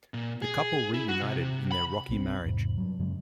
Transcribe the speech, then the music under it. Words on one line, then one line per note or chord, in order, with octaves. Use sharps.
The couple reunited in their rocky marriage.
A#2
G#4
E4
F#4
C3
B5
B1 C4
E2 G#2 C3
G2 F#3
F#2 C#3 F#3 G#3